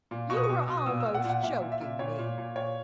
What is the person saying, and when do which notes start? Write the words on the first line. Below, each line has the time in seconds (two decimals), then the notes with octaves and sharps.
You are almost choking me!
0.11 A#2
0.30 B2 C#6
0.37 D#6
0.44 C#6
0.49 B2
0.68 B2
0.77 D#6
0.86 A#2 E6
1.00 A#2 E6
1.15 F#5
1.24 A#2
1.30 F#5
1.43 A#2 E5
1.62 A#2
1.72 E5
1.81 A#2
1.99 A#2 C#5
2.19 A#2
2.38 A#2
2.56 A#2 C#5